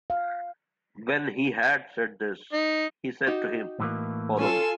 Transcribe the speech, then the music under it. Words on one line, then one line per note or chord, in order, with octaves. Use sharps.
When he had said this, he said to him, Follow me.
F5
D#4
D#4 F#4 G4
A2 E3 A#3
C#4 F4 A4 G#5 E7